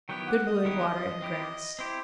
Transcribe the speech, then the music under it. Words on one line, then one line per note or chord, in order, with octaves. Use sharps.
Good wood, water, and grass.
D#3 F#3 B3 E4 G4 G5
F#5
D#5
D#3 F#3 B3 E4 G4
C4 E4 G4
C4 E4 G4 C5